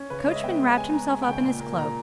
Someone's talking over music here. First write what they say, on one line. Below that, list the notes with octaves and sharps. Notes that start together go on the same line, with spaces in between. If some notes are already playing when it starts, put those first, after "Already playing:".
The coachman wrapped himself up in his cloak.
Already playing: C#4
C#3 B4
C#5
G#3 D#5
E5
B3 G5
G#3
G#3 G#5
B3 A#5
G#3 G#5
G5
C#3
G5
A#2
A#3
A#2 A#5